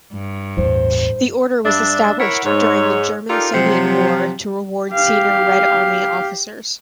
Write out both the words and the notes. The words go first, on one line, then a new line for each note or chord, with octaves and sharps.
The Order was established during the German-Soviet War to reward senior Red Army officers.
G2
A1 E2 C5
G2 D4 E5
E4 A#4 C#5 E5 F#5
G#2 C#5
D#4 F4 G4 A4 A#4 D5
C3 F3 F#3
G4 F5